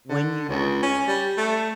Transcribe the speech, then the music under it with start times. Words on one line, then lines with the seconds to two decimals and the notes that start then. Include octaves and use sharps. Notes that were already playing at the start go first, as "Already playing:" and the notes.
when you
0.09 D3
0.48 C#2
0.82 C#4
1.07 G3
1.37 A3